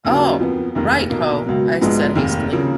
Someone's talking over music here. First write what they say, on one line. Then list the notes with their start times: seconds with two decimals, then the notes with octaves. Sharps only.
"Oh, right ho," I said hastily.
0.05 D#2 C#3 F#3 A#3
0.39 F2 F3 B3
0.75 F1 D#2 D#3 A#3
1.10 B1 B2 A#3 D#4
1.46 C#2 B2 F#3
1.81 A#1 G#2 F3 G#3 B3
2.15 F1 D#2 D#3 A#3
2.51 C#3 F3 A#3